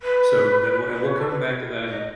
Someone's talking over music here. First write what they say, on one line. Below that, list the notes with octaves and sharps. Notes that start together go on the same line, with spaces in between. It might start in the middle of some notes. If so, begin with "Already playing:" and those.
So that will and we'll come back to that in a
B4
B4
C#5
A4
B4
D#5